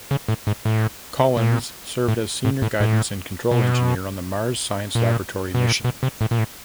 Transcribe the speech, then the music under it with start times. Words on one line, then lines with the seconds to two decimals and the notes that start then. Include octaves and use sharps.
Collins served as senior guidance and control engineer on the Mars Science Laboratory mission.
0.11 C#3
0.28 A2
0.47 G#2
0.65 A2
1.37 A#2
2.08 A2
2.45 A2
2.62 A2
2.80 A2
3.51 B2
4.95 A#2
5.55 B2
5.66 A#2
5.84 B2
6.03 C3
6.21 A2
6.31 A#2
6.38 A2